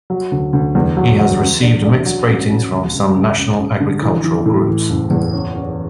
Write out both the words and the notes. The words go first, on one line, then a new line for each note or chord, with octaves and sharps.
He has received mixed ratings from some national agricultural groups.
F#3
D2
D2
E2
F#3
F#3
C#3
D4
D4
F#3
A1
A1
C#2
C#2
C#2
F#2
F#2
D3
E3
E3
A2
E3
F#1
E2
C#4
C#4